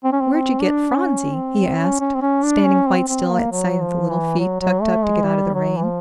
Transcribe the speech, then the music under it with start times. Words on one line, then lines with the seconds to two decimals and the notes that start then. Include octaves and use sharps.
"Where'd you get Phronsie?" he asked, standing quite still at sight of the little feet tucked up to get out of the rain.
0.04 C4
0.12 C#4
0.21 C4
0.33 C4
0.62 D4
0.91 C#4
1.35 C4
1.78 C#4
2.00 C#4
2.15 C4
2.22 C#4
2.43 D4
2.65 C#4
2.87 C4
3.08 C4
3.30 A#3
3.52 F#3
3.81 F3
4.10 E3
4.39 F#3
4.61 F#3
4.82 A3
5.04 G#3
5.26 G3
5.55 F#3
5.77 E3
5.84 F3